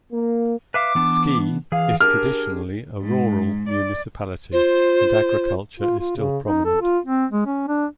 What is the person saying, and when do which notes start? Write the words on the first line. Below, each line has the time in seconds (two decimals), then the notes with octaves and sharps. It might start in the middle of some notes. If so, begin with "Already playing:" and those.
Ski is traditionally a rural municipality, and agriculture is still prominent.
0.12 A#3
0.74 B4 E5 F5 D6
0.95 E3 B3 D4
1.72 E3 G#4 F5
2.01 D4 G4 G#4 A#4 F6
3.01 G#2
3.69 D5
4.53 F4 C5
5.80 F4
6.00 F4
6.17 C#3
6.46 D#4
6.65 A4
6.81 F4
7.06 C4
7.31 G#3
7.46 C#4
7.68 D4